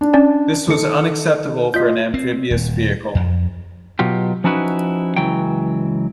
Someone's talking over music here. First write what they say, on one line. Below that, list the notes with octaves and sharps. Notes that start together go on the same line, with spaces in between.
This was unacceptable for an amphibious vehicle.
D4
C#4 D5 A5
D#3 A4 C#7
F4 D#5 G6 B6
C4
D#1
F2
B2 F#3 F4 G4
F3 C#4 D#4 E4 F#4 B4
C#2 E3 F#3 G5